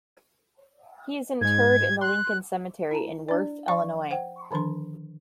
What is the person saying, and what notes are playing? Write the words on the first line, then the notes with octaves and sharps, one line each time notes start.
He is interred in the Lincoln Cemetery, in Worth, Illinois.
G#2 G#3 G#6
C6 F#6
E4 A5 A#5
D4 D5
F3 D5 F5 C#6
C5 F#5 G5
D3 D#3 F3 D4 C6